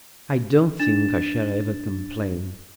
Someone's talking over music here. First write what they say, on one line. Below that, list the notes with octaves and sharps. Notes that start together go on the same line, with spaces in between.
I don't think I shall ever complain.
D4 A6 E7